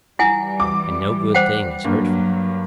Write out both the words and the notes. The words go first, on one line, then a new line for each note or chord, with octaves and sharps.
And no good thing is hurtful?
E3 G3 E4 F#5 G#5
D6
C5 F#5 G5
G2 F#3 A#3